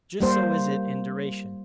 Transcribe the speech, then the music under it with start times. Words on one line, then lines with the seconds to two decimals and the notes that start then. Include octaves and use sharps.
Just so is it in duration.
0.20 G3 A#3 C5